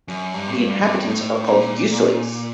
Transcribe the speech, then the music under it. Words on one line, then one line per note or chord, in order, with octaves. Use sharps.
The inhabitants are called "Yussois".
F#2
G2
A2
G2
G2
A2
A#2